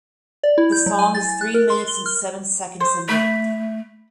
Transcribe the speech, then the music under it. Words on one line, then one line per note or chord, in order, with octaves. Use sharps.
The song is three minutes and seven seconds in length.
D5
E4
G6
F#3
G#5
A6
A6
F#6
A#4
C6
G7
F6
C5
A3 B5